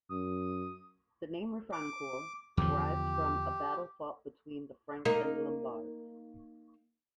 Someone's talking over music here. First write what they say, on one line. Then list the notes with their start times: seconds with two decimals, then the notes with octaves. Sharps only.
The name Refrancore derives from a battle fought between the Franks and Lombards.
0.11 F#2 D#6
1.72 D6
2.57 E2 D3 F3 G4
5.05 A#3 D#4